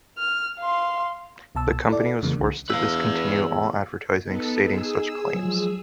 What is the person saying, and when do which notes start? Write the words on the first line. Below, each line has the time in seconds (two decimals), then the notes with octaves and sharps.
The company was forced to discontinue all advertising stating such claims.
0.18 F6
0.59 F5 C6
1.55 C2 B2 A5 E6
1.89 E4 A4 D5
2.22 F2 C#3 E3 G#3 A#3
2.37 C2 D3
2.70 E2 B4 F5 E6
4.25 B3 D#4 A4
4.66 G#4 E6
5.35 F3 F#3 G#3